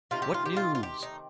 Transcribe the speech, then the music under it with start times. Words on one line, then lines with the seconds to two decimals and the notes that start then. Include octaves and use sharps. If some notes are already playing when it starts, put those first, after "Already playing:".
"What news?"
0.11 C3 D#3 A3 F4
0.22 G4
0.34 F4
0.46 G4
0.56 F4
0.75 F4
0.83 G4
1.02 D#4